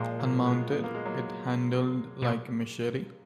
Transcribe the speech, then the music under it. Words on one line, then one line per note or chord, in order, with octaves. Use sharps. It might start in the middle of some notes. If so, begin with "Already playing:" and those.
Unmounted, it handled like a machete.
Already playing: A#2 F3 G#3
F#3 A#3
G#3 B3
B3
A#3
G#3
F#3 A#3
B2